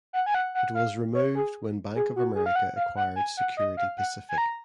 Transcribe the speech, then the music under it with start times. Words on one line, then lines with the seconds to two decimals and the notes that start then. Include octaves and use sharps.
It was removed when Bank of America acquired Security Pacific.
0.13 F#5
0.26 G#5
0.35 F#5
0.55 F#5
0.75 F5
1.14 C#5
1.35 G#4
1.96 G#4
2.16 F#4
2.35 G#4
2.46 F5
2.56 F#5
2.76 F5
2.96 F#5
3.16 G#5
3.37 F#5
3.57 D#5
3.77 F5
3.98 F#5
4.29 G#5
4.38 A#5